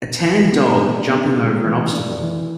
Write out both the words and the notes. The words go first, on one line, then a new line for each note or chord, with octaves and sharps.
A tan dog jumping over an obstacle.
E3
B3
D4
B3
G#3
E3
D4
E3